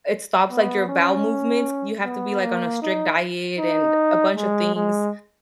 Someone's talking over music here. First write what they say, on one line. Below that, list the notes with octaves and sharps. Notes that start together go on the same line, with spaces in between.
It stops like your bowel movements. You have to be like on a strict diet and a bunch of things,
B3
C#4
B3
A#3
D#4
D#4
G#3
G#3